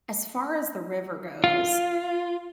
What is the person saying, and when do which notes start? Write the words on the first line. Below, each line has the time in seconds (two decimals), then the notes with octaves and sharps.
As far as the river goes,
1.44 F4